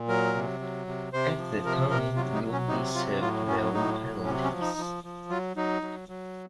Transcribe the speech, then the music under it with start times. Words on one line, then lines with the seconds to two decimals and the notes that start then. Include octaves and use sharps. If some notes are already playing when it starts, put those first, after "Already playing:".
At the time, goalies served their own penalties.
Already playing: A#2
0.08 F#3 A#4
0.35 C3
0.60 F#3
0.87 C3
1.13 C3 C5
1.38 F3
1.65 C3 A#4
1.90 C3 A#4
2.16 F#3 F4
2.34 D#4
2.44 F#3
2.52 C#4
2.69 C3 D#4
2.95 F#3 F4
3.21 A2 F4
3.47 F#3 C#4
3.74 A2 D#4
4.00 F#3
4.25 C3 C#4
4.43 C#4
4.52 F3
4.61 D#4
4.78 F3
5.04 F3
5.30 F#3 F4
5.57 F#3 D#4
5.82 F#3
6.09 F#3